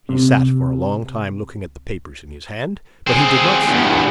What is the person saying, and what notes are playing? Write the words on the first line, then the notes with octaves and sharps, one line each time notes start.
He sat for a long time looking at the papers in his hand, but he did not see them.
C3
C4 G#4
E2 G2